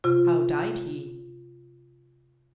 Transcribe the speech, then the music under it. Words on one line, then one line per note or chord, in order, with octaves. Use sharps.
"How died he?"
C3 F4